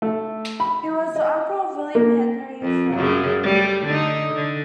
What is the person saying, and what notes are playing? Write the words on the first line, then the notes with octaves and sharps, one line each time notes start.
He was the uncle of William Henry Forney.
A3
B5
D#5
A#3
F2
F#2 C#3
G3 A3
D3 D#4
D3